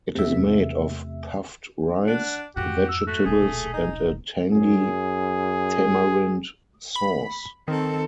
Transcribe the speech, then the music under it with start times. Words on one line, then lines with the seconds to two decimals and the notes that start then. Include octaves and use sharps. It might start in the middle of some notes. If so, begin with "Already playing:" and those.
It is made of puffed rice, vegetables and a tangy tamarind sauce.
0.15 E2 C3 A3 E5
2.07 D4 F#5
2.56 F2 G#2 F#4 G4
2.89 E6
3.07 A3 F#4
3.26 D#1 B1 G#4
3.74 D#4
4.53 F#2 G#4
6.96 B5
7.68 D#3 C4 A4